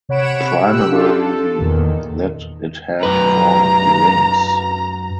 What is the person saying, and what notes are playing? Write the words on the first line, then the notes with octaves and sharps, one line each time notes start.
Primarily that it had four rings.
C3 C#5 F#5 B5 D7 E7
G4 E6 F#6
D4 E4 F4 G4 A4
A4
E2 A#2 D#3
F#2 B4 A#5